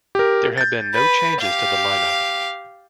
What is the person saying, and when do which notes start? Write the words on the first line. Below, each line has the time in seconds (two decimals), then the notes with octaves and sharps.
There have been no changes to the lineup.
0.15 G4 A#4
0.58 G6 A6
0.94 B4
1.41 G4 F5